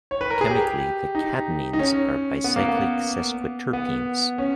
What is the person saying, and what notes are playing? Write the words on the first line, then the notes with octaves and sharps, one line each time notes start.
Chemically, the cadinenes are bicyclic sesquiterpenes.
C#5
B4
A#4
G#4
G4
D#4
D#4
C#4
B3
A#3
B3
B3
C#4